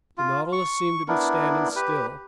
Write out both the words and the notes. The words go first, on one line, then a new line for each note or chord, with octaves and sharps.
The Nautilus seemed to be standing still.
F4
C#6
B3 D4 E4 A#4
G4 B4